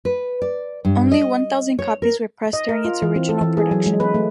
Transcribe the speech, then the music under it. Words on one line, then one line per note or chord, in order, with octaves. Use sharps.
Only one thousand copies were pressed during its original production run.
B4
D5
G2
D#5
C#5
A#4
D#5
A#4
F4
E3
C4
A4
E3
G#4
F#3
G#3
B4
A3